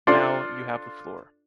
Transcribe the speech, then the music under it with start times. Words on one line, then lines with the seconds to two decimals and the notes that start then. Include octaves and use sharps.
Now you have the floor.
0.07 D4 F4 A4 C5 D5